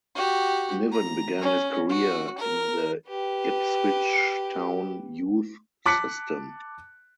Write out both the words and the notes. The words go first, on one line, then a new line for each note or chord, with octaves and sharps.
Niven began his career in the Ipswich Town youth system.
F#4 G4
A#5
C#4
F#4
A#4
G4 B4
A5 D6 F#6 B6 C#7